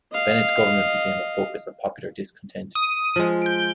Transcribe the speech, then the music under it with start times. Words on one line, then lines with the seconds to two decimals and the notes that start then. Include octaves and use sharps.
Bennett's government became a focus of popular discontent.
0.12 D#5 F5
2.75 D#6
3.16 F3 G#3
3.42 G6 D7